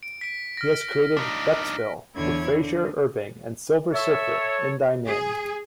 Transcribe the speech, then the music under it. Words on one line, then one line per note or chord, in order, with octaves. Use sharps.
He has created "Gutsville" with Frazer Irving and "Silver Surfer: In Thy Name".
D7
B6 D7
F6 A#6
D4 D#4
E2 D3 E4 C#5 G#6
D3
A4 C#5 E5
G#4